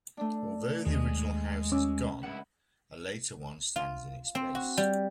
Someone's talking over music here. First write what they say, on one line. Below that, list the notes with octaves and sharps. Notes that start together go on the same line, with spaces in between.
Although the original house is gone, a later one stands in its place.
A3 D4
D#2 G#3 D#5
C#4 D6 E6
C#2 E4 F#5
F4
C4
F#4
G3